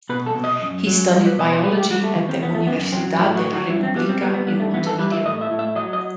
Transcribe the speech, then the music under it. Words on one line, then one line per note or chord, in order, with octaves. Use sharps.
He studied biology at the Universidad de la Republica in Montevideo.
B2 B4
A4
B2
D#5
F#2
F#3
G3 D#5
B4
B2 D#5
C5
G3 B4
G4
G3 F#4
A3
D#3
C4
E2 B3
A3
F#2 B3
F#3 C4
A2 E4
F#4
F#3
F#4
G2 E4
C4
G3 B3
C4
G3 B3
B3
G2 B3
A3
E3 B3
A4
G3 B4
E5
A2 D#5
E5
A2
E5
F#3 D#5
D#5